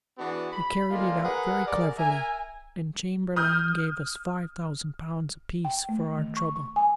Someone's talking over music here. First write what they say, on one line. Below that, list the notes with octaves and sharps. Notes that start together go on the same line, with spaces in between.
We carried it out very cleverly, and Chamberlayne gave us five thousand pounds apiece for our trouble.
E3 B3 D4 F#4 G#4
B5
D3 G#3 A#3 F4
G#4 A#4 B4 F#5
G4 G#4 A#4 D5
A#4 E5 G#5
D#6 F6 G6
G5
A3
D#3
C#6
C#6
G#5